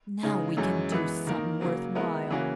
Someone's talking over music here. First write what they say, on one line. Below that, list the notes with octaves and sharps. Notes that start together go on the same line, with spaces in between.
"Now we can do somethin' worthwhile."
C#3 G#3 D#4 G#4
F#2 E3 G#3 C#4
E3 G#3 B3
D#3 A#3 D#4 A#4
C#3 F#3 A#3
G#3 B3 E4 A#4
C#3 E3 A#3 C#4 F#4